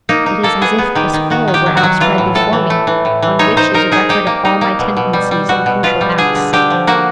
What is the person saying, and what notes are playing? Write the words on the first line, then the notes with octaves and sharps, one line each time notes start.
It is as if a scroll were outspread before me, on which is a record of all my tendencies and crucial acts.
A#3 D#4
D#4
A#3 A4
B3 G#4
B3
D#3 G4
D#3
D#3 F#4
D#3
G4
F#3
F#4
F#3
E3 F4
A2
A2 A4
E3
A3
E3
A2
E3
D#4 C#5
D#4 C5
D#4 A#4
D#4 G#4
D#4 G4
A#3
D#4
A#3
B2
B2
G3
G3
B2 F#4
B2
B2 F4
G3
D3 G#4
D3
D3 G4
F3
A#3 F#4